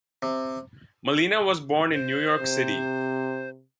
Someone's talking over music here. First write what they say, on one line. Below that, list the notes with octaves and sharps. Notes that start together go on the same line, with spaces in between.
Malina was born in New York City.
C3
C5
C3